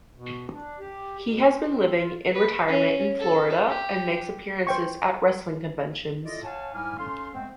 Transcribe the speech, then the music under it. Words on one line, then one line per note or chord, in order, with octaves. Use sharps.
He has been living in retirement in Florida and makes appearances at wrestling conventions.
B2
D4
G4
B2
C4
F4
B4
C#4
A4
G4
C5 G5 C#6
E4 F4 A4 D5 D#5
C#5 F5 F#5 G#5 A5
G#2 G3 E4 G#5 D6 F6
C#4 D#4 A4 F5 C6
G#3 A3 B3 C4